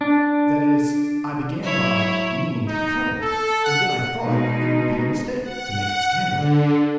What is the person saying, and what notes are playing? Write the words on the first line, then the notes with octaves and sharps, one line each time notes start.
"That is, I began by meaning to cut him, and then I thought it would be a mistake to make a scandal."
D4
F#3 E4 C#5
D#4
A4
F#5
B2 G#3 D#4
F#5
D3